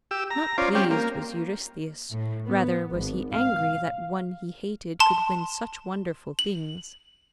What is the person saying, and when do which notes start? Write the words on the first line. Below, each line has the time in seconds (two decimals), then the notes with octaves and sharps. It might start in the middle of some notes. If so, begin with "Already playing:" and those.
Not pleased was Eurystheus; rather was he angry that one he hated could win such wonderful things.
0.11 G4 E6
0.31 A#5
0.58 C#4 F4 C5 D5
0.75 G3 C4 C#4 G4
0.91 A#3
2.12 A2
2.47 B3
2.92 G#1
3.32 F5
5.00 A5 C6 E7
6.39 F#7